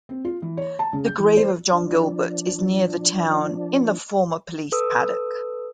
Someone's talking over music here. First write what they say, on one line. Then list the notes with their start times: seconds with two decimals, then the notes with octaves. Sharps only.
The grave of John Gilbert is near the town in the former police paddock.
0.09 C4
0.25 F4
0.42 E3
0.57 C#5
0.79 A5
0.93 C#3
1.06 G6
1.19 E3
1.37 C5
1.73 F3 D4
4.72 A4 B4 D#6 E6